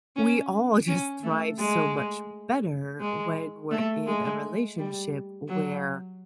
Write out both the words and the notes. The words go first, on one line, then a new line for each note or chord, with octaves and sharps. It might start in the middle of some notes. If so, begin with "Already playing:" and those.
we all just thrive so much better when we're in a relationship where,
C#4
C#4
A3
G#3
G#3
A3
G#3
G3
F#3